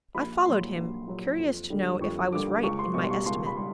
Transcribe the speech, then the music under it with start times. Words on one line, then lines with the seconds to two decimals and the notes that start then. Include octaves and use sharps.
I followed him, curious to know if I was right in my estimate.
0.15 A#1 B5
0.45 A#2 F#3 C6
0.76 A#1
1.07 A#2 F#3
1.38 F2
1.70 D3 G3
2.00 F2 C#6
2.32 D3 G3 D6
2.63 C#2 C#6
2.79 C6
2.94 B2 G3 C#6
3.04 C6
3.10 C#6
3.26 C#2 C6
3.46 B5
3.56 G3 C6